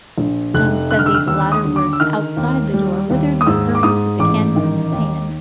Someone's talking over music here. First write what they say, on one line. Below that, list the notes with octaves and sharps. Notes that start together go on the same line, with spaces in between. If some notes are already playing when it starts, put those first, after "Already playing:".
John said these latter words outside the door, whither he had hurried with the candle in his hand.
A#1
F1 F#6
D3 F#6
F6
E6
F6
D#2 E6
D#6
D3
D6
E6
D#3 F6
D#2
G3
D#2
D#6
G#2 E6
D6
G#2 D#6
A1 D6
D#3
D#2